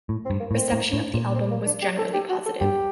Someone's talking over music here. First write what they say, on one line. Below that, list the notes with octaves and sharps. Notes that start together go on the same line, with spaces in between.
Reception of the album was generally positive.
A2
C4
G2
A#3
A2
C4
A2
A2
A#2
C4
A#3
D4
G4
A4
G4
F#4
A4
G2 G4